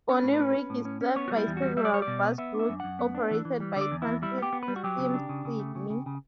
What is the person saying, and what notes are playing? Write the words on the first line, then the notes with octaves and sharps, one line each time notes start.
Bonnyrigg is served by several bus routes operated by Transit Systems Sydney.
C#4 C#5
B4
A2
B4
C#4
C#4
A2
C#4
C#4
B3 C#5
F#4
G3
E4
E2
F#4
G3
G3 E5
D5
G3 C#5
D5
B2
B3
B3 E5
D4
E5
F#2
F#2 F#5
B3
D4
E3
E3
G3
D3 D5
E2
E2 E4
G3 E4
B3 G4
B3
B4
G3
F#4
F#3 G4
C#3
D4
C#3
C#3
A3
C#3
C#3
C#3